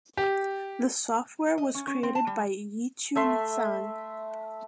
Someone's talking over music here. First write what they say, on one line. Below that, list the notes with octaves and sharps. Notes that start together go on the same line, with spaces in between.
The software was created by Yichun Zhang.
G4
D#5
C#4
C#4
C4
A5
G3
A3 E5 C6